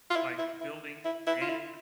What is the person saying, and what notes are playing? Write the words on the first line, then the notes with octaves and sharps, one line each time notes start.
like, building and
F4
E4
E4
E4
E4
E4
F4
E4